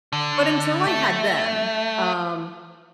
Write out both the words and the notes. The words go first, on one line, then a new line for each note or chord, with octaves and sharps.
But until I had them, um,
D3
A3